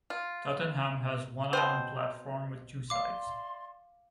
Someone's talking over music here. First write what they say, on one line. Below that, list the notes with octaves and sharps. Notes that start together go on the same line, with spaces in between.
Tottenham has one island platform with two sides.
F4
B2 C4 C5
D5 E5 F5 C6 D6